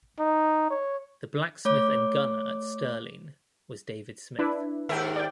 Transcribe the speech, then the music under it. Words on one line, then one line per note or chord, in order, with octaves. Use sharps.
The blacksmith and gunner at Stirling was David Smith.
D#4
C#5
A3 C#5 D6
D4 E4 B4
D#2 G#2 A#4 E5 G5
D5 G5